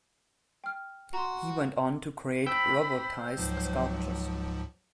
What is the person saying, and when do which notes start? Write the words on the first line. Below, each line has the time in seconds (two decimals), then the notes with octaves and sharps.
He went on to create robotized sculptures.
0.64 G5 F6
1.14 F#4 A#5 C6
2.46 C5 G5 B5 E6 G6
3.37 C#2 G#2 F3 F#3